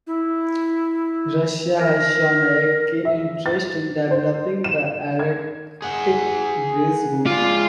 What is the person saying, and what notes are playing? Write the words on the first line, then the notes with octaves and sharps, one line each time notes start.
Russia has shown a keen interest in developing the Arctic Bridge route.
E4
A#4
E5
A6
C5
E7
G#6
G#4 F#5
G#3 F4 D5